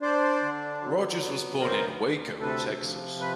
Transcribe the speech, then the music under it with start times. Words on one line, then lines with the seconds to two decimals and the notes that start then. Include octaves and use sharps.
Rogers was born in Waco, Texas.
0.02 D4 C5 D5
0.42 D3
0.81 F#3
1.21 B3
1.61 D2 A#4 C5
2.01 D2
2.41 C3 A4 B4
2.82 F3
3.21 B4